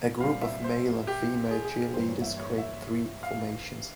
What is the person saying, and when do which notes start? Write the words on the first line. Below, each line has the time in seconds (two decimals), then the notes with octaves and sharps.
A group of male and female cheerleaders create three formations.
0.20 A#2 G3 C4 F5
0.42 E5
0.64 C5
1.07 G4
1.51 G#4
1.65 G#4
1.94 G2 E3 G3 A#3 C5
2.07 C#5
2.22 E5
2.37 C#5
2.58 E5
3.23 F5